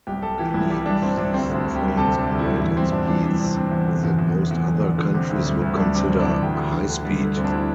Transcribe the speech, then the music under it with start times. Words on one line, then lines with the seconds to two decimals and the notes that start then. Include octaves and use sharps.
Many of these trains operate at speeds that most other countries would consider "high-speed".
0.07 C2 G4
0.22 G3 A4
0.38 E3 G4
0.54 C2 E4
0.70 G3 G4
0.86 G3 D4
1.02 C2 C4
1.17 C2 D4
1.34 D2 C4
1.50 D2
1.55 D4
1.66 D2
1.76 G4
1.81 G3
1.97 C3 A4
2.13 G3
2.19 D4
2.30 D2
2.39 E4
2.44 G3
2.60 E2 E4
2.76 G3 C4
2.92 E2 D4
3.08 E3 D4
3.24 G3 D4
3.40 C3
3.56 C3
3.72 E2
3.88 D3
4.04 E2
4.19 E2
4.35 E2
4.51 E2
4.67 D3
4.82 E2
4.98 D3
5.14 C3
5.30 D2
5.47 G3
5.61 D2
5.77 G3 D4
5.94 C3
6.10 D2
6.20 D4
6.26 E3
6.42 D2 G4
6.57 D3
6.72 D3
6.89 D3
7.05 G3
7.20 D3
7.37 D2 C4
7.44 D4
7.52 E4